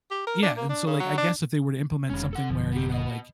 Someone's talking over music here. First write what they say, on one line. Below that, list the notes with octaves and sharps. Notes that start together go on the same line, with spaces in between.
Yeah, and so, like, I guess if they were to implement something where, you know, like,
G4
A#4
D4
A#3
D4
C#3
F#3
D4
F1 D#3 G#3 C#4
A4 F#5
G#1 F#2 D3 F3
B3 G4
B3 D#5